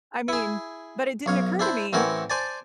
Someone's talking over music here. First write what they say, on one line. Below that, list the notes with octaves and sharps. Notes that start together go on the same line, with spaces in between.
I mean, but, it didn't occur to me,
E4 G#4
B1 C#5 F5
D4 E4 C5
A1 E3 C4 A#4 C#5 F#5
C5 D5 G#5 A5